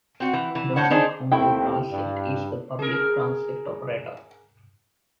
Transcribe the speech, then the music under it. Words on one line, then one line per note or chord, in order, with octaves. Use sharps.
Johnson County Transit is the public transit operator.
C4 F#4
E3
E3
A2 C5 C#5 F#5
D4 D#4 G#4 C5
D#2 A3 C4 E4 G4 G5
G2
G#4 A#4